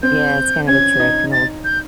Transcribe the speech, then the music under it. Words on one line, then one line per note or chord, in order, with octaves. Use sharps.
Yeah, it's kind of a trick, an old
C4 G6
C#4 G#6
D#4
A6
G6